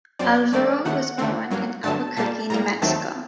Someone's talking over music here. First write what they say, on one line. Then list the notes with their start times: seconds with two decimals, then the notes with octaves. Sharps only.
Alvaro was born in Albuquerque, New Mexico.
0.19 F#2 F#3 C4 D5
0.52 G2 D#3 A3 D5
0.85 D#2 D#3 A3 F#5
1.18 D#2 D3 A3 C4
1.51 G2 F#3 A#3
1.83 G2 D3 F#3 A5
2.16 A#2 G3 A#3 A5
2.50 A2 G3 A#3 A#5
2.82 D#2 D#3 F#3 A3 C4 A5